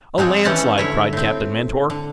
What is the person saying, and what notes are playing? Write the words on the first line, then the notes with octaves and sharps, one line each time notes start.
"A landslide!" cried Captain Mentor.
F3 F#3 G#3 C4 C#5
E3 G3 C4 C#4 F#5 A5
D3 E4 C#5
A2 C4
D3